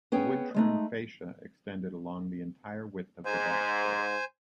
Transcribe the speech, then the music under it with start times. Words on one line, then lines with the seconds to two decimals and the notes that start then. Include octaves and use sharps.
A wood-trimmed fascia extended along the entire width of the dashboard.
0.12 B3 C#4 G#4 G5
0.54 G#3 A3 D#4
3.26 G#2 C5 G#5